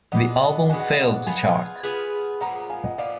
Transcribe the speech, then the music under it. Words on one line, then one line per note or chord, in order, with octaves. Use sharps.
The album failed to chart.
G#3 B3 D4 F#4 D#5 F#5
D#5 F#5
G#3 B3 D4 F#4 G#5
F#5
F5
D#5 F#5
B3 F4 G#4 B4 G#5
F#5
F5 G#5
B3 F4 G#4 B4
A#2 F3 B3 F#5 A#5
F5 G#5
D#5 F#5
A#2 F3 B3 D5 F5